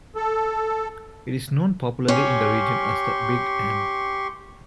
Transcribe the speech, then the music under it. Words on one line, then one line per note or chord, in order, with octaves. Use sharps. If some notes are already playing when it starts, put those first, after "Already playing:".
It is known popularly in the region as "The Big M".
A4
C#4 G4 C6 C#6